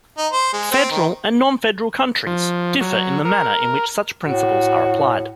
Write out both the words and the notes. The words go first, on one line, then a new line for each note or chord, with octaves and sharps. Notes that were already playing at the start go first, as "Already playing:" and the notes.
Federal and non-federal countries differ in the manner in which such principles are applied.
D#4
C5
G#3
C4
D#3
F3
F#3
A#4
A2 F#4